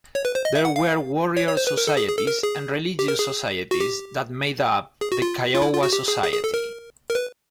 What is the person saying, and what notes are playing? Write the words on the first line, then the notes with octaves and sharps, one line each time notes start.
There were warrior societies and religious societies that made up the Kiowa society.
C#5
B4
C5
D#5
E5
F#5
F5
C#5
C#5
C5
B4
A#4
A4
G#4
G#4
A4
A#4
G#4
G4
A#4
G#4
F#4
G4
G#4
F#4
F4
F4
E4
F4
F#4
G4
G#4
G#4
G#4
A4
A#4
A#4
B4